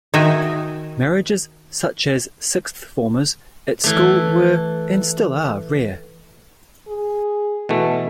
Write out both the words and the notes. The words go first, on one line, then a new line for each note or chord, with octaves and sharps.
Marriages such as sixth-formers at school were and still are rare.
D#3 D#4 F#4 E5 G5 G#5
E3 A3
G#4
B2 E3 A3